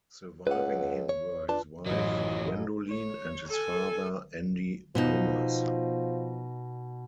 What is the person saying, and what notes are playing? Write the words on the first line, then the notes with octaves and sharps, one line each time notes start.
Surviving him were his wife, Gwendolyn, and his father, Andy Thomas.
C#2 B4 F#5
C#5
D4 F4 B4 A5
A1 F#2 E3 F#3 D#5
C#5
A4 G#5
B2 F3 D#4